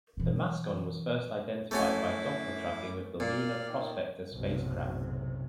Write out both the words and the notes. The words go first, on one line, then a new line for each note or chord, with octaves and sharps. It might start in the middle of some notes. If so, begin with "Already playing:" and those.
The mascon was first identified by Doppler tracking of the Lunar Prospector spacecraft.
B2 E3
F#2 A3 C#4 E4 F#4 D6
A#2 D5 F5
D#3
F#1 B1 A2 C3 F#3